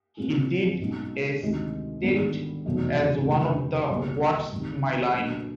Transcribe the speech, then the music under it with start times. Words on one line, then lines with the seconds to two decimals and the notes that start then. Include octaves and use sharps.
He did a stint as one of the What's My Line?
0.17 A#2 G3 C4 F4 G#4
0.80 B1 B2 G#3 C#4 F#4
1.42 D2 C3 D#3 G#3
2.03 G#1 G2 D3 G3 B3
2.66 F1 E2 B2 F#3
3.28 F1 D#2 C#3 F3
3.90 C2 B2 G3 A#3
4.52 C2 C3 D#3
5.13 A#2 F#3 A3 D4